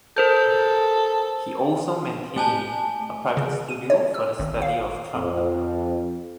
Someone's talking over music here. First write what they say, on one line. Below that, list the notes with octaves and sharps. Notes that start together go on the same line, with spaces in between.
He also maintained a private studio for the study of trumpet.
A4 A#4 C5 G6
A3 G#5 A5
C#3
D#7
C#5
E6
G#1
F5
F2